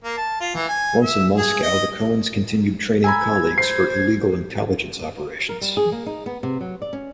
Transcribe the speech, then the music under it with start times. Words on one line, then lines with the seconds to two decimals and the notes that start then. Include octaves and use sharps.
Once in Moscow, the Cohens continued training colleagues for illegal intelligence operations.
0.04 A#3
0.17 A5
0.41 F4
0.55 E3
0.69 G#5
1.03 E5
1.37 G#4
1.63 D#5
3.04 G#5 A#5 B5 E6 G#6
3.58 C5 C7
5.49 A#4
5.61 G3
5.77 G#4
5.92 A#3
6.06 D#4
6.26 B3
6.43 C3
6.61 F#3
6.82 D5
6.93 C#4